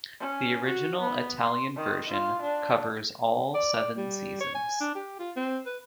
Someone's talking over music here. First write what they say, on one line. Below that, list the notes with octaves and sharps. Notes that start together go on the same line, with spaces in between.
The original Italian version covers all seven seasons.
C#4
F#4
B3
C6
D#3
F4
D4
D5
G3
C#5
G#5
D4
G4
F4
C4
B4